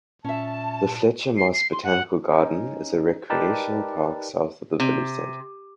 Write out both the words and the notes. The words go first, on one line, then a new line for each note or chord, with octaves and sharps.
The Fletcher Moss Botanical Garden is a recreational park south of the village centre.
A#2 C#4 E5 A5
C7
C7
C6
F#5
C#4 D#4
D#4 G4 A#4 B4 D5 A5
C3